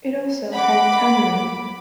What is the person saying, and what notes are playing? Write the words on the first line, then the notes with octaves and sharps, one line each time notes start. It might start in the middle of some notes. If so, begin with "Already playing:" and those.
It also had a tannery.
F#5 B5 D6